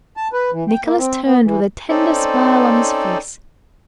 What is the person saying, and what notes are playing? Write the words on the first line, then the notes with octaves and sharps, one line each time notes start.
Nicholas turned with a tender smile on his face.
A5
B4
E3
G5
A#3
C4
B3
E3
C4 C#4 D#4 A4 C5 D5